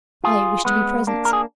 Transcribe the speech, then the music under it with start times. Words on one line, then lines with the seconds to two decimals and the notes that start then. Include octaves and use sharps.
"I wish to be present."
0.24 F4 G#4
0.65 G#3 B3
1.07 A#3 D4
1.25 A#4
1.33 G#4